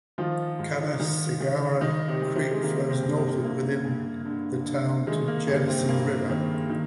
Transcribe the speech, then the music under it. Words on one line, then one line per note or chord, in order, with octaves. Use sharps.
Canaseraga Creek flows northward within the town to the Genesee River.
D#3 F3 F4
G#2
D#3
D#3
D#3 D#4
C3 C4
D#3
C3 C4
G#3
D#3 A#3
C3 C4
G2
C3 C4
D3 A#3
G2
D3
D3
D#3 G#3
A#3
G2 C3 C4
C3 C4
G2 A#3
D#3
D#3